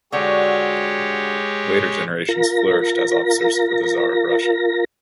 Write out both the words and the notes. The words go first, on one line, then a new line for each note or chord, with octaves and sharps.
Later generations flourished as officers for the Czar of Russia.
D3 G#3 F#4 G4 C#5 A5
F4 A#4 A#6